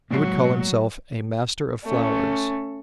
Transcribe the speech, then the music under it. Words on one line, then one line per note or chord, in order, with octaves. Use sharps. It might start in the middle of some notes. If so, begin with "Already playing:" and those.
He would call himself a Master of Flowers.
A2 F#3 G#3 A#3
A3 C#4